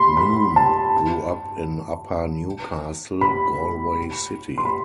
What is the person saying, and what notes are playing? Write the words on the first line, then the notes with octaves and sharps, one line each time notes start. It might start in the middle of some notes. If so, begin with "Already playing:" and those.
Noone grew up in Upper Newcastle, Galway City.
Already playing: B5 C6
B5
A5
B5
C6
B5